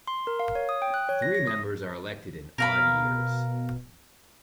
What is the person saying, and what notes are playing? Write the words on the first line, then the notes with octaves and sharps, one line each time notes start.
Three members are elected in odd years.
C6
A#4
F5
C#5
D#6
G5
F#6
C#5
A#6
A#6
D#6
B2 A#4 F5 B5